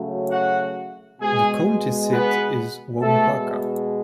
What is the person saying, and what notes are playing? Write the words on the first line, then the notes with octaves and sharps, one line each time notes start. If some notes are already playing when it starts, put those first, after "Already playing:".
The county seat is Waupaca.
Already playing: C#3 F#3 A3
F#4 F#5
B2 G#3 G#4 G#5
B3 B4
B2 G#3 A3 A4